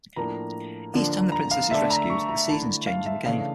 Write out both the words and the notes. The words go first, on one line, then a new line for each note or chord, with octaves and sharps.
Each time the princess is rescued, the seasons change in the game.
A2 F3 A#3 D4 A#5
D3 F3 A#3 D4
A#5
F5
D3 A3 D4 E5
A#5
C#6
A#5
D3 A3 E4 A5
F5
E5
C#3 E3 A3 D4 F5